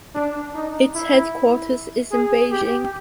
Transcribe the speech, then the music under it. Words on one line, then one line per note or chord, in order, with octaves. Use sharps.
Its headquarters is in Beijing.
D4
D#4
E4
G#4
G4